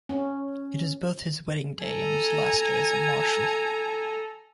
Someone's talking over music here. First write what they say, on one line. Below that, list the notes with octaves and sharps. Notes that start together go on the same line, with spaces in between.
It is both his wedding day and his last day as a marshal.
C#4
A4 G#5 A#5